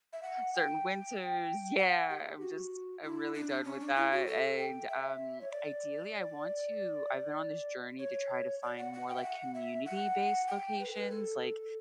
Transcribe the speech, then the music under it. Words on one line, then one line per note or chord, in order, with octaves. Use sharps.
certain winters Yeah. I'm just I'm really done with that, and, um, ideally, I want to I've been on this journey to try to find more, like, community based locations. Like,
E5
F#5
G5
F#5
G4
F#4
E4
D4
C#4
D4
E4
F#4
A4
G5
E5
C#5
D5
C#5
D5
F#5
F#5
G5
E5
F#5
E5
F#5
G5
B4
A4
B4
A4